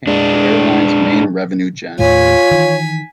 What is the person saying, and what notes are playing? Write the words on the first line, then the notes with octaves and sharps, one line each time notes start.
The type became the airline's main revenue generator.
G#3 D4
D#2 A2 A3 F4 C#5 G#5 B6
D#3 E3